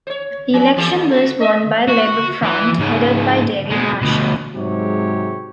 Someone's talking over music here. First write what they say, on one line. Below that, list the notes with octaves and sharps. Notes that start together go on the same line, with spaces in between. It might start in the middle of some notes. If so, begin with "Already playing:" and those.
The election was won by Labour Front, headed by David Marshall.
C5 C#5
F3 C#4
E3 G4 A4
D#2
A3 F#4
D#5 E5
F#4
E3
G#2 C#3
B2 G#3
D2 B2
G#2 C3 F#3 G#3 G4 C#5